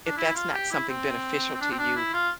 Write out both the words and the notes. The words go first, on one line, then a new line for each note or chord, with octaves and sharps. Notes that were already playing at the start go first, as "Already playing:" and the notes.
if that's not something beneficial to you,
D4
E4
F4
G4
E4
C4
C4
D4
C4
D4
E4
F4